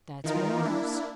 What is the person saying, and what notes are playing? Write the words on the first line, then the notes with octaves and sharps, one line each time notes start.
That's Morris.
D#3 E3 D#4 F4 A#4
A#3 D4 E4